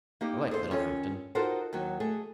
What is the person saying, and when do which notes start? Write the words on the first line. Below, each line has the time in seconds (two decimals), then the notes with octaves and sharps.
I like Littlehampton.
0.21 A#3 D#4 G4
0.51 G#4 A4 C5
0.71 D#3 C#4 F4 A4 C#5
1.35 D#4 F4 F#4 A4 A#4 C5
1.73 D#2 D#3 F#3
2.00 A3 G#4